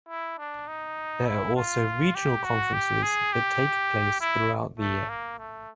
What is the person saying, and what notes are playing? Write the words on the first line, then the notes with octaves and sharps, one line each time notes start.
There are also regional conferences that take place throughout the year.
E4
D4
D#4
E4
F4
G4
F#4
G4
G#4
G4
E4
A3
A#3
A3